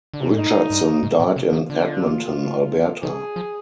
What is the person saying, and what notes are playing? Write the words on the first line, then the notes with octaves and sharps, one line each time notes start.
Richardson died in Edmonton, Alberta.
D3
C3
A#2
G#2 D#4
G2
G#2
A#2
C3
D#3
D3 F4
D#3 G#4
F3